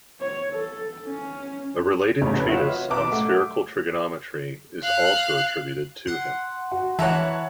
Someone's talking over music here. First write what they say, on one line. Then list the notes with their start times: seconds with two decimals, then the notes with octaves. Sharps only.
A related treatise on spherical trigonometry is also attributed to him.
0.21 C#5
0.53 A4
1.07 C#4
2.21 F1 E2 C#3 A3 C#5 B5
2.49 F4 F#4 B4 C#5 D#5 E5
2.90 B2 B4 E5 A5 A#5 D6
3.12 A3 F#5
4.83 F5 F#6
6.07 F#5 C6
6.72 F#4
6.99 E3 C#5 E5 F#5 A5 A#5 F#6